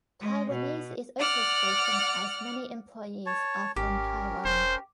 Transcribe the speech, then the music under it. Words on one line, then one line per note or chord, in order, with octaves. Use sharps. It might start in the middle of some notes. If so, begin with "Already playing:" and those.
Taiwanese is also spoken as many employees are from Taiwan.
G#3
B2
D5 F#5 F6
C#5 A5
G#1 C#4 G4 A#4
E1 C5